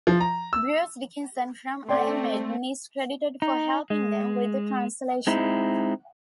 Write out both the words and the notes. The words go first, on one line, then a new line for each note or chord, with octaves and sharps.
Bruce Dickinson from Iron Maiden is credited for helping them with the translation.
F3
A#5
E6
A3 C4 D5 G5 C6
D#4
G#3
G#3 C4 D#4 E4